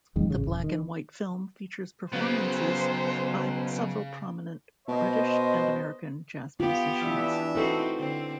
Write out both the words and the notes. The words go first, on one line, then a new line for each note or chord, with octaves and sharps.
The black-and-white film features performances by several prominent British and American jazz musicians.
E1 F2 D#3 G#3
A1 C#3
D#1
D#3
C#3 F#3 B3 C5
B2 C5 D#5
B3 F4 G4
E3 D4 E5
C4 D#4 E4 F#4 A4 B4
D3 C4